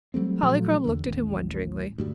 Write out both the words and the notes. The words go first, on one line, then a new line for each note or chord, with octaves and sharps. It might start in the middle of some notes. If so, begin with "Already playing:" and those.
Polychrome looked at him wonderingly.
F#3 G3 A3 C4
A#2 F3 F#3 A3
E2 D3
A1 D#2
D2 G2 G3